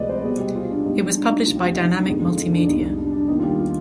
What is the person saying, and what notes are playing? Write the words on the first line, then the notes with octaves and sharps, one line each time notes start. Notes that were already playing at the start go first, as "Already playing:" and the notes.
It was published by Dinamic Multimedia.
Already playing: D2 C3 F3 G#3 B4 D5 D#5
C5
B2 G3 B3 G#4
G4
F4
D4
G#2 G3 B3 D#4
D4
D#4
D2 C3 F3 F4
G4
G4
D#4
D4
F2 D3 G#3 B3 D#4
F4
D#4
D4
C2 C3 G3 B3 D#4
D4
D4
D#2 D#3 G3 B3 D#4
F4
G4
F4